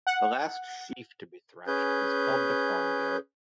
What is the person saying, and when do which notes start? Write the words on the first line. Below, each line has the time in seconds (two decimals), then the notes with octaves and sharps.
The last sheaf to be threshed is called the Corn Goat.
0.07 F#5
1.67 C#4 G#4 B4 G6